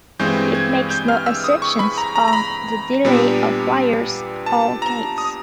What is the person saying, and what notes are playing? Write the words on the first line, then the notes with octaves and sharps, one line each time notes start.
It makes no assumptions on the delay of wires or gates.
G2 E3 G#3 C4 G6
G#6
G6
F6
E6
D#6
C#6
B5
A#5
A#5
A#5
B5
A#5
A#2 G3 B3 D4
A5
A#5
D#6